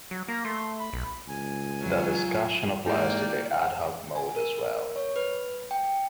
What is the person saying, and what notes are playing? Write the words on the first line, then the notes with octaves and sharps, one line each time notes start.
The discussion applies to the ad hoc mode as well.
F#3
A#3 A#5
A3 C6
B5
B1
C#2 G#5
F#3 F4
G#2 A#3 E4 G4 D5 G5 G6
G#5
A#4
C#5
B4
G5